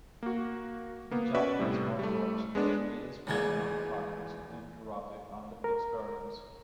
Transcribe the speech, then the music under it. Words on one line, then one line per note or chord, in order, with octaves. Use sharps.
In Japanese martial arts, the is primarily practiced in karate and its variants.
A#3 F#4
A#3 B3
C#4 F#4 B4 D5 E5
A2 C3 G3
G3 A3
G#3 B3 D4
G#1 E2 A#2 E3 G#3 G#6
A#4